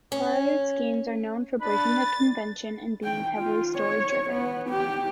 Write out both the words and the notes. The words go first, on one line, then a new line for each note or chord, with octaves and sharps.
Kyratzes' games are known for breaking with convention and being heavily story-driven.
C#4
D4 B4 B5 A6
G5
F4
C#5
B3
G4